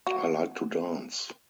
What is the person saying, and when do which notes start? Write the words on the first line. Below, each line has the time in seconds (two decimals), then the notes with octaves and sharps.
I like to dance.
0.07 F#4